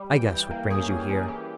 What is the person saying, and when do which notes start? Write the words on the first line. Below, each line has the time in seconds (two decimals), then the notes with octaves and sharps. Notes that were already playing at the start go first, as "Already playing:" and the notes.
'I guess what brings you here.'
Already playing: G3
0.12 E3 G5
0.32 E3
0.51 A#3
0.70 C#4 G#4
0.90 E3
1.09 C#4
1.28 E3 G4